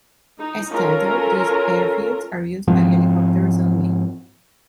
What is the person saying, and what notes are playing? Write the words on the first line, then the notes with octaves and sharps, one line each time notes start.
As titled, these airfields are used by helicopters only.
D#4
C#4 F4 A4 A#4
G#2 F3 C4